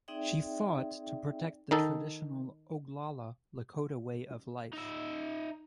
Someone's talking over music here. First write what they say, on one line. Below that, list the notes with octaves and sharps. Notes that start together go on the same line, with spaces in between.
She fought to protect the traditional Oglala Lakota way of life.
C4 D#4 G#4 D5 E5 G5
D#3 D#4 A4
D#4 E5